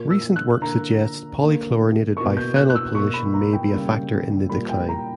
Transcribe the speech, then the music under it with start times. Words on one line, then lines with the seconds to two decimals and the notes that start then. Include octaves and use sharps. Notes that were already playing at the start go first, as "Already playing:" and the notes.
Recent work suggests polychlorinated biphenyl pollution may be a factor in the decline.
Already playing: A#2 A#3
0.10 E6
0.36 F#6
0.61 D3 A#3 A#5
1.40 D3 A#3
2.17 B2 A#3 C#6
2.37 G6
2.56 F#6
2.70 F#6
2.75 E6
2.94 B2 C#6
2.98 A#3
3.14 B5
3.34 A#5
3.53 G5
3.72 C#3 G3 A#3
4.49 A#2 G3 A#3 B5
4.69 G5
4.89 A#5